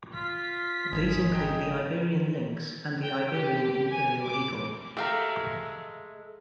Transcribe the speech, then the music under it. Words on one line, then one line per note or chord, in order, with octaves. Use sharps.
These include the Iberian lynx and the Iberian imperial eagle.
F4 B6
G#1 G#4
D#5 G5 A#5
G5
G4
G#5
D6
G#3 A3 G4 A#4 E5 F5